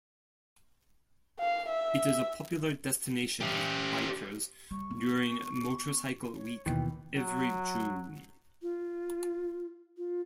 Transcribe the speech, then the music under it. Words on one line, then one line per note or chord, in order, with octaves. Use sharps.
It is a popular destination of bikers during Motorcycle Week every June.
F5
E5
C#4 G4
G3 C#6
B3
C#5
D#2 B2 D#3 E3 G5
F#3
F4
F4